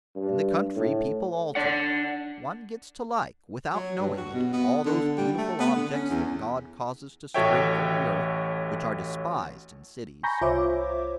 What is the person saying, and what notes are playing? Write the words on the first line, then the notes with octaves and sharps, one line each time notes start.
In the country people alter; one gets to like, without knowing it, all those beautiful objects that God causes to spring from the earth, which are despised in cities.
G2
A2
D4 D5 F#5
F#3
G2
F#4
B2
B3
D3
G3
A3
B3
D3
C#4
E2
A1 F#4 A4 C#5 E5 G5
G#5 A#5 B5 C#6 G6 A#6
C2 F4 C5 C#5 E5 D6